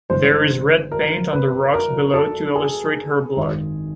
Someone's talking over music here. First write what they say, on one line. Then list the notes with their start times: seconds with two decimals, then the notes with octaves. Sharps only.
There is red paint on the rocks below to illustrate her blood.
0.10 G1 G2 E3 G#3 C5
0.92 A#4
1.33 B4
1.74 A#4
2.14 A4
2.56 G#4
3.37 G#1 F#2 D#3 G#3